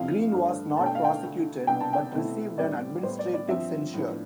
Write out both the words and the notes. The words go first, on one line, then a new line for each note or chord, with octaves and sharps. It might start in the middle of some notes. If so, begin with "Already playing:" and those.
Green was not prosecuted, but received an administrative censure.
Already playing: F2 D3 F3 C4 E4 F5
G2 D3 A3 D4
B2 A3 D4 A5
G5
F5
G5
D2 D3 A3
C2 B2 B3 D4 G5
A5
G5
B2 A3 C4 E4
A2 G3 C4 D5
A2 G3 B3 E4 C5
D5
D5
G2 F3 C4 E5
A2 F3 B3 D4